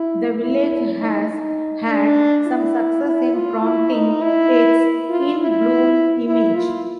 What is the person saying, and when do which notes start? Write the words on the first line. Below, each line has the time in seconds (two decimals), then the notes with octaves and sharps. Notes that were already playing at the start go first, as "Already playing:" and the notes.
The village has had some success in promoting its "in bloom" image.
Already playing: E4
0.42 E4
1.00 D#4
1.29 D#4
1.88 D4
2.47 E4
3.04 E4
3.34 F4
3.63 E4
3.92 D#4
4.22 E4
5.09 F4
5.39 E4
6.27 E4
6.55 F4